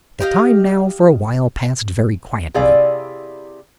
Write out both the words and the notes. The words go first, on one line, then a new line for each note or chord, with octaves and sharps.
The time now for a while passed very quietly.
G4 D#5 F5
C3 E4 G#4 D5 F5